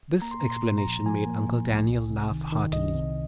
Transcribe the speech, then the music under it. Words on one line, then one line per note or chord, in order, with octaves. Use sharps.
This explanation made Uncle Daniel laugh heartily.
A#3 A#5
C6
A#2 A#5
C6
A#2
A#5
F3
F3 G#5
A#3
A#2
C2
C2
C3
D#3
D#3
C2 D#5
C3